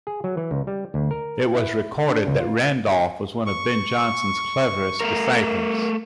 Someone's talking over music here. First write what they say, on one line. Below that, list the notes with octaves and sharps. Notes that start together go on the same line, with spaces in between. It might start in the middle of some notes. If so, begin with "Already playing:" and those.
It was recorded that Randolph was one of Ben Jonson's cleverest disciples.
G#4
F#3
E3
C#2
G3
D2
A#4
E4
D4
C#2
F4
C#6
A3 A#4